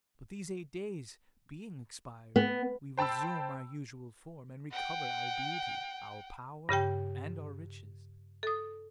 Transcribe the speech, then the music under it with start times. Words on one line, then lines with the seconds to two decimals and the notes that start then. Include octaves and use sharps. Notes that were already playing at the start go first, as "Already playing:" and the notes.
But these eight days being expired, we resume our usual form, and recover our beauty, our power, and our riches.
2.36 B3
2.98 C5 G5 A5 B5 E6
4.72 F#5 G5
6.69 G2 C#3 G4 G5
8.43 A4 D#6